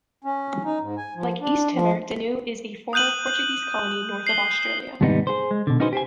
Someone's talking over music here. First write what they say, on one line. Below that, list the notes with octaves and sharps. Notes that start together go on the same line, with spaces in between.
Like East Timor, Danu is a former Portuguese colony north of Australia.
C#4
D#4
G#2
G#5
F3
D4
F3
D#6 F#6 G6 D#7 F#7
C7 F#7 G7
D#2 G#2 C3 G3 B3 D#4
G#4 C5
G#3
B2 D3
C#4 D#4 F#4 G#4 B4 C5
G4 C5 G#5